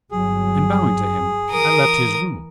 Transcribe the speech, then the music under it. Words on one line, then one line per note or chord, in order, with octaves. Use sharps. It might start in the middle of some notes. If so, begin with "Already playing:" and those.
And bowing to him I left his room.
G1 F#3 G#4
E3 A#4 D#6